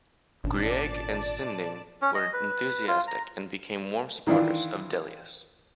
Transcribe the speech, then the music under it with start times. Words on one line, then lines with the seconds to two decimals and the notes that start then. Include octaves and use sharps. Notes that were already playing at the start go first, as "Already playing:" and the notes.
Grieg and Sinding were enthusiastic and became warm supporters of Delius.
0.44 G#1 A#2 C#4 D4 D5 A5
2.02 C#4
2.14 D#5
2.33 B4
2.88 F4
3.07 A#5
4.27 D#3 E3 D4 E4 F4